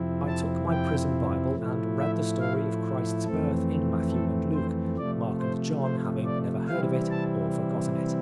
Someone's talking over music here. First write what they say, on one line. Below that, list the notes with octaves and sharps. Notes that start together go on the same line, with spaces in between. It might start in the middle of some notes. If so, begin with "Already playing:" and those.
I took my prison Bible and read the story of Christ's birth in Matthew and Luke, Mark and John having never heard of it or forgotten it.
Already playing: F2 C3 F3 C4 E4
A5
G5
A2 F3 A3 E4
E5
F5
F2 E3 A3 C4 A4
A4
C5
C3 F3 A3 D5
C5
C5
D5
C3 E3 G3 C4 E4 F5
A5